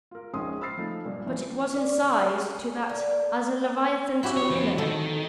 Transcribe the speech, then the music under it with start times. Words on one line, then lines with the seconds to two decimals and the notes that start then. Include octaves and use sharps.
But it was in size to that as--as Leviathan to a minnow.
0.11 F4 A#4
0.33 A#1 G#3 C#4 D#4 C6 D#6
0.61 C5 B5 E6 F6 A6 C7
0.77 F3 A3 D#4
1.05 G2 A#2
1.26 E3 F3 B3 C#4
1.74 D5
2.02 D3
2.19 G#4
2.31 A2
2.54 C#4
2.89 D3
4.23 E4 F#4 G4
4.37 C#5
4.51 F3 C4
4.78 D#3 A4